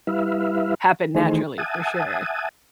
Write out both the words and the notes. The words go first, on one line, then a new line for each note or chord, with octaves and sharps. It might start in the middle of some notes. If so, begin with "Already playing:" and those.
happen naturally for sure.
G3 E4 B4 E5 F5
D#3 E3 A3 D#4 G#4 C5
E5 F#5 G#5 A5 D#6